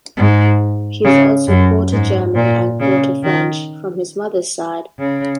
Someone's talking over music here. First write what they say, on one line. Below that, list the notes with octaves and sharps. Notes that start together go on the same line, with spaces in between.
He is also quarter German and quarter French from his mother's side.
G#2
C#3
F#2
G#2
A#2
C#3
D#3
C#3